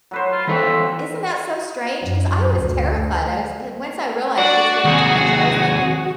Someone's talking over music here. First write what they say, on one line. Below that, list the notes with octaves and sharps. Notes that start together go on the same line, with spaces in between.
Isn't that so strange? 'Cause I was terrified, I was and once I realized she was getting dementia, I was thinking,
F#3 B4 C5
F4
E3 A4 C5 E5 A#5
F#2
D2
D4 F#4 D5
D#2 C3 G#4